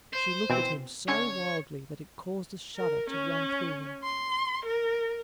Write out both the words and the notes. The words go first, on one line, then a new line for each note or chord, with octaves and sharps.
She looked at him so wildly that it caused a shudder to run through him.
C5
B2 E3 C4
D3 C#4 C#5 G#6
A#4
C#4
C6
A#4